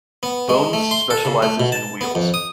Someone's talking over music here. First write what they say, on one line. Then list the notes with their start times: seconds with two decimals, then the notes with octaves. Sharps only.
Bones specializes in wheels.
0.23 B3
0.49 G#3
0.73 A3
0.91 C6
1.10 A4
1.25 C#3
1.42 A3
1.60 B2
1.72 A5
2.01 B3
2.15 F2
2.34 D#6